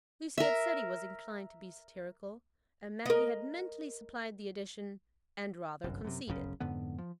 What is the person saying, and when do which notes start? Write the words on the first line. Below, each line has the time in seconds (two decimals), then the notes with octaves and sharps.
Lucy had said he was inclined to be satirical, and Maggie had mentally supplied the addition, "and rather conceited."
0.38 A#4 E5
3.06 A#4 D#5
5.84 G1 C2 F#2
6.05 F#2 C3
6.28 D1 G1 F#2 C#3
6.60 F2 G#2 D3 B3
6.98 F3